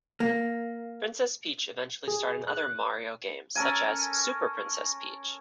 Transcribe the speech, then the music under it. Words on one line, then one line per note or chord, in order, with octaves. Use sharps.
Princess Peach eventually starred in other "Mario" games such as "Super Princess Peach".
A#3
G#4
F#6
C#4 A4 A#4 G#5